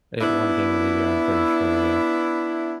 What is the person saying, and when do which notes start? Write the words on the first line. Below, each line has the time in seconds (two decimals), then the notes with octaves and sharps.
It won Game of the Year, I'm pretty sure, yeah.
0.21 B3 D4 E4